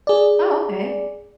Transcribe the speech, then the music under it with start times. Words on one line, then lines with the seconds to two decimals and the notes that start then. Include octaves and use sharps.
Oh, okay.
0.07 G#4 D5